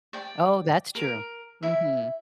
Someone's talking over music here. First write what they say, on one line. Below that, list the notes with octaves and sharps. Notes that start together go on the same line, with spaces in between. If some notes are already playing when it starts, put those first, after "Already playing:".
Oh, that's true. Mhm.
D5 G5
A#4
E4 E5